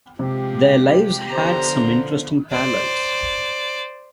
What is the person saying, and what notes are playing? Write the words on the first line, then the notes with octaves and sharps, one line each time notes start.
Their lives had some interesting parallels.
C3 F3 G#3 G4
D3 F3 B3 C5 A#5
C5 D5